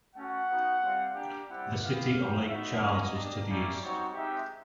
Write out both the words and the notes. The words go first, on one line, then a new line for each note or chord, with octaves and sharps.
The city of Lake Charles is to the east.
A3 C#4 F#4 F#5
B3 D#4 F#4
G3 C4 F4
A#3 D4 G4
G3 C4 E4 G4 F#5
B3 E4 G4 F5
C4 D#4 G4
B3 D#4 F#4 E5
A#3 C#4 F#4 D#5
A#3 D4 G4
A#3 C#4 E4 G4 D5
G3 C4 D#4 F#4 C#5
G#3 C4 D#4 G4 E5